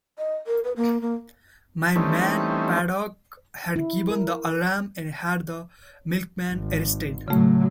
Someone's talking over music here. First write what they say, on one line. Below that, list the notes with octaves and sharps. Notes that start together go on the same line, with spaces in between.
My man Paddock had given the alarm and had the milkman arrested.
D#5
A#4
B4
A#3
A#3
E3 G3 A3 C4 C#4 D#4
E4
A#4
G#1
A2 C#3 F#3 A3